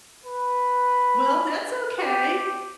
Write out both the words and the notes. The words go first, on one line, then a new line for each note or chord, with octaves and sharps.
Well, that's okay.
B4
G4